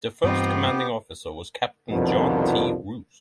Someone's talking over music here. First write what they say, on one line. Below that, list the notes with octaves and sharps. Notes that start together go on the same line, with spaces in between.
The first commanding officer was Captain John T. Rouse.
G2 E3 B3 C4 D#4 F4 G4
C2 F2 B2 D3 D#3 F3